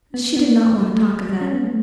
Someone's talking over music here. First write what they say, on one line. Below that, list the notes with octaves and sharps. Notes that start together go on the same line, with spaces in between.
She did not want to talk of that.
B3
B3
A3
G3
C#4
B3
A3